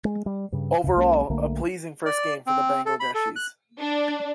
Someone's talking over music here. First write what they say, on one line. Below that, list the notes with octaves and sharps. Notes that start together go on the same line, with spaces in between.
Overall, a pleasing first game for the Bangladeshis.
G#3
G3
G2 C#3
D#2 C#3
B1 G#3 A#3 C#4
B1 D3 A3 A#3
D5
C4
A4
B5
A4
F#6
D4